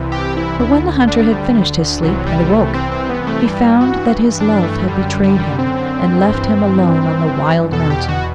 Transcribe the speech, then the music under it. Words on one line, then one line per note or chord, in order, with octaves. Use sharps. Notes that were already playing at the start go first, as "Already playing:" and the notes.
But when the Hunter had finished his sleep and awoke, he found that his love had betrayed him and left him alone on the wild mountain.
Already playing: C2 C3 E3
G4
E4
D2 D3 E4
D4
G3
C2 C3 E3 F#3
G3
A3
C4
C4
B3
A3
G2 E3 G3
F#4
D4
A3
F#2 D3 G3
G3
C4
G2 E3
E2 B2 A4
G4
F#4